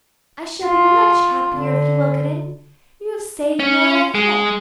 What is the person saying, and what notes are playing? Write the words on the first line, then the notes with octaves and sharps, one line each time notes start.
I shall be much happier if you will get in. You have saved me all I had.
F4
D3
C#4
G#3